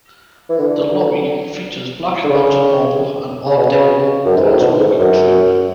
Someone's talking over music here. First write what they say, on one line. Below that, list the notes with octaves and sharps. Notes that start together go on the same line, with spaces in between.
The lobby features black Belgian Marble and Art Deco bronzework trim.
E3
D3
D3
C#3
C#3
B2
C#3
F#2
G#2
A2
B2
G#2
F#2